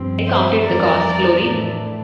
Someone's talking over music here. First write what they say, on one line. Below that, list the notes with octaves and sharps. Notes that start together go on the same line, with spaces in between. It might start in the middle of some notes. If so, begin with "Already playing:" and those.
I counted the cost, Lori.
Already playing: G2 F3 C4
C5 E5
F2 E3 G3 D4 A#4 D5
A2 E3 A3 D4